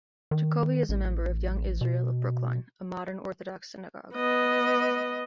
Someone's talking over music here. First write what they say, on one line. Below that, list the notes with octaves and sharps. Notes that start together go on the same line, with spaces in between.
Jacoby is a member of Young Israel of Brookline, a modern Orthodox synagogue.
D#3
A1
B2
B3 D#5